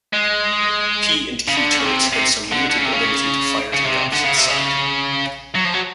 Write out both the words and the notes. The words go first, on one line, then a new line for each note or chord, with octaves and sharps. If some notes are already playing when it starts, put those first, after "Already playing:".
'P' and 'Q' turrets had some limited ability to fire to the opposite side.
G#3
C#3
D3
C#3
C3
C3
D3
D3
C#3
C3
C#3
C#3
C3
D3
C#3
C3
C#3
F#3
F3
F#3